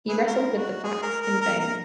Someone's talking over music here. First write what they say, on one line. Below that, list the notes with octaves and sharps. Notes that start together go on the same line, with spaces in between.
He wrestled with the facts in vain.
E4 G#4 B4
F#4 A#4
F#4
G#4
A#4
A#4
A#4
A#4